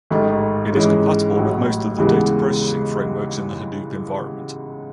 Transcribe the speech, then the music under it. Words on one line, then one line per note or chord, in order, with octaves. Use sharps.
It is compatible with most of the data processing frameworks in the Hadoop environment.
A1 G#2 D#3 A3
G#2 E3 G#3 C#4
A1 A2 F#3
D#2 C#3 E3 G#3 B3